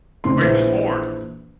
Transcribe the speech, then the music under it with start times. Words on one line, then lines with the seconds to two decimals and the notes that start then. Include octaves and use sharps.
Wait, who's Ward?
0.24 F1 C#3 C4 C6
0.38 A#1 E3 B4 C5